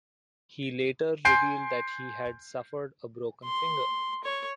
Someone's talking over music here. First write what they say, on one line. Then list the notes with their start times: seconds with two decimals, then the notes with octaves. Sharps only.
He later revealed that he had suffered a broken finger.
1.25 G#5 C6 G6 C7 D7
3.45 C6
4.24 C#5